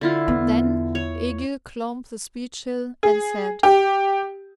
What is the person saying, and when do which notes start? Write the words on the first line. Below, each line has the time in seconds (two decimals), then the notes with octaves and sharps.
Then Egil clomb the Speech-Hill, and said.
0.01 D3 E4 F4
0.28 E2 B3
0.95 C#5
3.03 G#4
3.63 G4